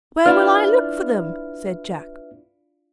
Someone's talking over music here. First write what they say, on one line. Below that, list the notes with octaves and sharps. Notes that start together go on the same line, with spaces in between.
"Where will I look for them?" said Jack.
D4 E4 F4 B4 E5 F6